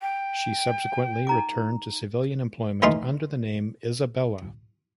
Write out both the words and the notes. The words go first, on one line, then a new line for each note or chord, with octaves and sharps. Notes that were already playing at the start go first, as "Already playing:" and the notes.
She subsequently returned to civilian employment under the name "Isabella".
G5
D#4 A#5 D6
D#2 E3 A3 D#4 F4 C6